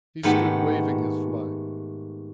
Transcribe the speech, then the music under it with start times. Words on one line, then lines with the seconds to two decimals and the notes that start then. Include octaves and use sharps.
He stood waving his flag.
0.23 G#2 D#3 A3 B3 G4